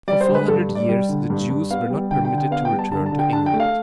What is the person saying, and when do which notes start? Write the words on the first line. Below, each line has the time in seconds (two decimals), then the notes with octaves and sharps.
For four hundred years the Jews were not permitted to return to England.
0.08 G3 D5
0.21 C5
0.28 D3
0.35 B4
0.48 G2 A4
0.69 G2
0.75 D5
0.89 G3
1.09 D3
1.30 G2
1.50 G2
1.71 B3 F5
1.90 G3
2.11 D3 G5
2.25 G5
2.31 D3
2.38 G5
2.51 B3 F5
2.65 G5
2.72 G3
2.79 A5
2.92 D3 A5
3.06 A5
3.12 D3
3.19 G5
3.33 D4 A5
3.46 G5
3.54 A3
3.60 F5